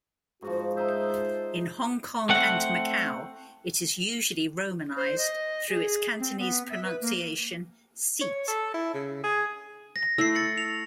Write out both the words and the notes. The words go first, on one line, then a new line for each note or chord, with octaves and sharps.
In Hong Kong and Macau it is usually romanized through its Cantonese pronunciation Sit.
G#2 F3 F#4
D#4 C5 D#5 E5
A5
A3 C4 F#5
C5
D#5
G#4
C4
B3
E5
B4
A#3
C#5
A4
E4
C#3
G#4
A#6
A3 E4 E6 C7
A6 C#7 F#7
F7